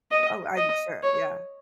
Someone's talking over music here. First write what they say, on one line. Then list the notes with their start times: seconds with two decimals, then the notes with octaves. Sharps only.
Oh, I'm sure, yeah.
0.11 D#5
0.57 D#5
1.03 C#5